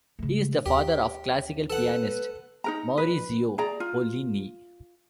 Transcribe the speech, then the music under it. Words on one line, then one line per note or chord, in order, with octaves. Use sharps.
He is the father of classical pianist Maurizio Pollini.
C#3 A3
D#2 G4
A4 B4 F#5
D#4 A#4 A#5
B4
G#4 D5 A#5
F4